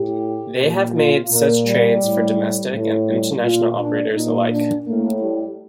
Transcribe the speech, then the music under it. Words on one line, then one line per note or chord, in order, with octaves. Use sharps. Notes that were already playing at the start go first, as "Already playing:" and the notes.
They have made such trains for domestic and international operators alike.
Already playing: A2 G4
A#2
F4
A#2 A#3
G3
A2
A2
G3
A#2 F4
D4
A#2 D#4
D4
A2 A#3
G3